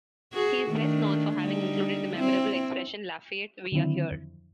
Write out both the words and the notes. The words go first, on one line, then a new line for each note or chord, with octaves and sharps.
He is best known for having included the memorable expression Lafayette, we are here!
F#4 G#4
D#3 A3 D4
D3 G3 D#4
C4 E4
D3 D#3 F#3 C4 E4
F2